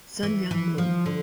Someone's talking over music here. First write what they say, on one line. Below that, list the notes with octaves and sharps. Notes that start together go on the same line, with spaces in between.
Sun Myung Moon.
E3
E3
F3
D3